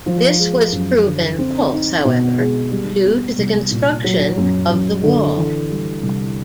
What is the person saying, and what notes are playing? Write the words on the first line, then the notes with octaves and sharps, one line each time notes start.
This was proven false however due to the construction of the wall.
F3
G#3
F#2
D3
C4
D#4
B2
G#3
G3
B3
C2
A#2
F#3
F#2
F#2
D3
E3
G3
C2